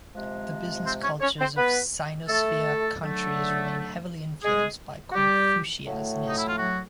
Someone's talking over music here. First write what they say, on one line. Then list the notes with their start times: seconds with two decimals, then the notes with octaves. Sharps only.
The business cultures of Sinosphere countries remain heavily influenced by Confucianism.
0.14 C3 F3 G#3
0.85 C4 C5
1.03 C#4 C#5
1.21 C#4 C#5
1.39 C4 C5
1.57 B3 B4
2.28 A3 A4
3.00 D3 F#3 A3
4.43 G#3 G#4
5.11 F#4
5.14 G3 G4
5.86 A2 F#3 A3
6.28 D#4
6.38 E4
6.48 F4
6.57 F#3 F#4